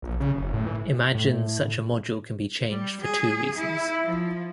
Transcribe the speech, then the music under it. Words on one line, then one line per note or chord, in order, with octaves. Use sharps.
Imagine such a module can be changed for two reasons.
A#1
C#3
F#1
A2
E3
A2
G3
G#4
E4
F3